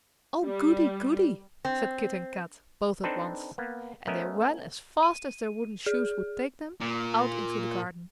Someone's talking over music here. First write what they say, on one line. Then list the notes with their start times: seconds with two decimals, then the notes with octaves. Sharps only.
"Oh, goody, goody!" said Kit and Kat, both at once; and they ran as fast as their wooden shoes would take them out into the garden.
0.44 G3
1.65 C4
3.03 C4 D4 D#4 A4 B4 C5
3.58 A#3 B3
4.07 A3 B3 C#4 A#4 D#5 E5
5.03 D#7
5.86 G#4
6.81 A#2